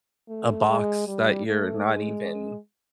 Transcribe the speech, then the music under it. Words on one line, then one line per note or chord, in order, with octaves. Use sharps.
a box that you're not even,
A3
G#3
G3
A3
G#3